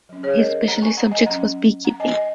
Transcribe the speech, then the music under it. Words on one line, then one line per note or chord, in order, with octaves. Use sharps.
His specialist subject was Beekeeping.
F#3 C#4
G#4 C#5
A#4 D#5
F#5 A#5
G#5 C#6
F#5 A#5
D#5 G#5
F#3 C#4 F#5 A#5
F#5 A#5
D#5 G#5
D#5 G#5